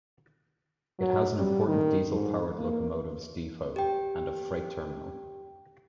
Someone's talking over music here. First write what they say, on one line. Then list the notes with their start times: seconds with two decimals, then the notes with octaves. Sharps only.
It has an important diesel-powered locomotives depot and a freight terminal.
0.99 F#3
1.36 G3
1.67 D#3
2.11 G#2
2.58 A#3
3.76 G4 G5